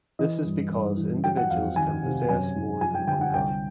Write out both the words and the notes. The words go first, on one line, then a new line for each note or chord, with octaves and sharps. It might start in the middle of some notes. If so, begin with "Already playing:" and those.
This is because individuals can possess more than one gun.
E3 D#5
G2
G2
E3
F#3 G5
F#5
F2 F5
D#3 G#5
C3
F#2 G#5
F#2
F3 G#5
G5
D3 G5
F#5
C2 G5